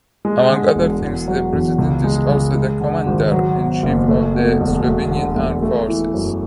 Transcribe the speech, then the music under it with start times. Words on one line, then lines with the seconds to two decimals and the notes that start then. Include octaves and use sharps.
Among other things the President is also the Commander-in-Chief of the Slovenian Armed Forces.
0.25 G#3
0.50 D3
0.76 E1
1.02 E2
1.28 F#3
1.53 E2
1.78 C#2
2.04 G#3
2.30 C#2
2.56 G#3
2.81 D3
3.06 G#1
3.32 F#3
3.58 B2
3.83 F#1
4.08 A3
4.34 B2
4.60 E1
4.86 A3
5.11 D3
5.36 E1
5.62 A3
5.88 E3
6.14 F#2